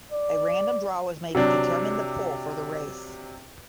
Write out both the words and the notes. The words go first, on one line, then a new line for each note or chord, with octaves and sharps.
A random draw was made to determine the pole for the race.
D5
C3 F#3 D4